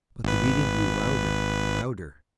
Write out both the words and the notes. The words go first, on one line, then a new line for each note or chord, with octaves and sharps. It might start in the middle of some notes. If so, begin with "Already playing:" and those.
But the beating grew louder, louder!
G#1 B4